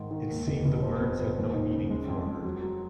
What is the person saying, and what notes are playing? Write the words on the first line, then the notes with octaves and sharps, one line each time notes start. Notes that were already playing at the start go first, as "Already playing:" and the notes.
It seemed the words had no meaning for her.
Already playing: G#2 D#3
D#3
D#2
F1
F1
F3
B3
F3
D#2
D#4
C#3
G#3
F2
G#3
F#3
F#3